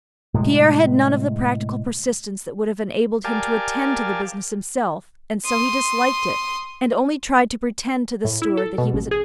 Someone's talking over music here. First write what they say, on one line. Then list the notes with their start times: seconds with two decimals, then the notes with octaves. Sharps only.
Pierre had none of the practical persistence that would have enabled him to attend to the business himself and so he disliked it and only tried to pretend to the steward that he was attending to it.
0.34 A2 C3 G#3
3.24 G4 A#4 D5 F5 G#5 A5
5.45 C6 D#6
8.25 A2
8.42 E4
8.57 A4
8.78 B2
8.93 A1
9.11 G#4